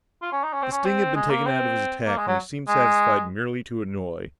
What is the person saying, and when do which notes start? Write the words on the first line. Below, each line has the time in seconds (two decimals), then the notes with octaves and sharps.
The sting had been taken out of his attack and he seemed satisfied merely to annoy.
0.22 F4
0.32 C#4
0.43 D#4
0.53 C#4
0.63 C4
0.71 C#4
0.85 C4
1.15 G#3
1.30 A#3
1.46 C4
2.07 A#3
2.18 G#3
2.28 F#3
2.68 G#3